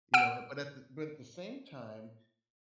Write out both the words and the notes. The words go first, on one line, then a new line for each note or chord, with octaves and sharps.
You know? But at the but at the same time,
F#5 E6 D7